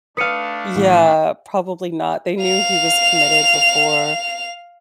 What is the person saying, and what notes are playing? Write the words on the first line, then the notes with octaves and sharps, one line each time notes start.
Yeah, probably not. They knew he was committed before,
A3 D4 B4 F5 D#6 C#7 D#7
A1
F5 F7